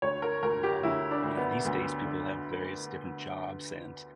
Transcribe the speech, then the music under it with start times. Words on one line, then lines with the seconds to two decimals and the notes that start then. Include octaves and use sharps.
um, you know, these days people have various different jobs and
0.02 D2 C#5
0.22 A#4
0.43 D2 A#4
0.63 G4
0.83 D2 E4
1.11 D4
1.23 D2
1.37 B3
1.65 D2
2.05 D3